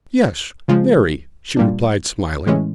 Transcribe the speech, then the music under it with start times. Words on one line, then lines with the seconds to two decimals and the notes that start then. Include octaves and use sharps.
"Yes--very," she replied, smiling.
0.68 C#3 F3 G#3
1.57 A#2 G3 A#3 D4
2.46 A2 E3 G#3 C#4